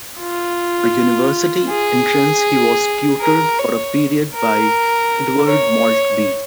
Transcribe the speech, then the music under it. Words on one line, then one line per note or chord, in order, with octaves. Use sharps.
For university entrance he was tutored for a period by Edward Maltby.
F4
G#4
A#4
C#5
A#4
C#5